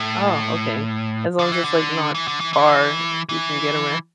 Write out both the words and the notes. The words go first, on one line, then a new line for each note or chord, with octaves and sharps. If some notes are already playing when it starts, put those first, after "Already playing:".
Oh, okay. As long as it's like not car, you can get around.
Already playing: A2
D3
E3
D3
E3
D3
E3
E3
E3